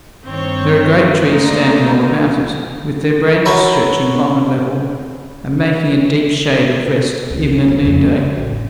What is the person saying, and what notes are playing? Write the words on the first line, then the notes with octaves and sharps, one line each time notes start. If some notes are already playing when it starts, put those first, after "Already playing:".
There are great trees standing all about it, with their branches stretching long and level, and making a deep shade of rest even at noonday.
G2 D#3 C4 C#5
D3 A3 A#3 D#4
E4 F#4 A#4 B4 C#5 E5
C#2
F#2
G#2 D3
F2 A#3
F#2
A1